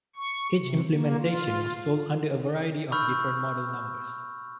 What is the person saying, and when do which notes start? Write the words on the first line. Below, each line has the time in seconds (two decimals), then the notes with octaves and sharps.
Each implementation was sold under a variety of different model numbers.
0.16 C#6
0.57 C3
0.91 A#3
1.20 F4
2.92 B5 C#6 E6 F6 G6